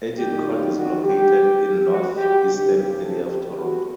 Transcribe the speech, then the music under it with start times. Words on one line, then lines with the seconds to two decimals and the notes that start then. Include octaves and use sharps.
Agincourt is located in north-eastern area of Toronto.
0.17 F#2 D#3 G3 G4
0.46 F4
0.75 F#4
1.03 G4
1.88 F#4
2.17 G4
2.46 D#2 C#3 F3 G4
2.74 G4
3.02 A4
3.31 G4
3.60 F#4